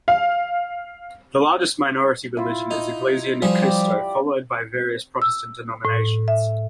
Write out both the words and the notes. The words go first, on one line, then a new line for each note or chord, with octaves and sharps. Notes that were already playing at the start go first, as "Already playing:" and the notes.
The largest minority religion is Iglesia Ni Cristo followed by various Protestant denominations.
F5
E4 F4
D#4
F3 G3 G#4
G4 D5
E6
A2
E5